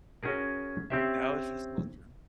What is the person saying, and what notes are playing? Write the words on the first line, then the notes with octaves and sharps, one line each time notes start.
That was just culture.
C#4 F#4 G#4 A#4
C4 C#4 G4 C5 E5